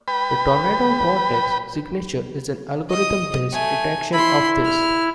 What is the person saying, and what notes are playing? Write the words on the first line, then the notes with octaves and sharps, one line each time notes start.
The tornado vortex signature is an algorithm-based detection of this.
B4 G5 B5
D#5 D#6
A3 G#5
E4 B5 C6
F6